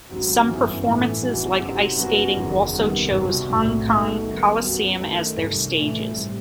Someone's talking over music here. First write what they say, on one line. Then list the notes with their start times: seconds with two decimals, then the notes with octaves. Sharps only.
Some performances like ice-skating also choose Hong Kong Coliseum as their stages.
0.09 A1 G2 F#3 C4 F#4
0.47 G1 F#2 E3 B3 E4
0.84 A2 E3 A3
1.22 F#1 F#2 E3 B3 F#4
1.60 C3 F#3 C4 D#4 G4
1.98 F#2 F#3 B3 F#4 B4
2.36 F#1 E2 D#3 F#3
2.73 C3 D#3 G3 B3
3.11 C2 B2 F#3 C4
3.49 B1 A2 F#3 A3 C4
3.86 B2 A3 D#4 A4 E5
4.24 D#3 G3 B3
4.62 F#2 F#3 B3
5.00 D#3 A3 D#4 A4 C5
5.37 C2 C3 D#3
5.75 A2 E3 A3
6.13 A2 G3 C4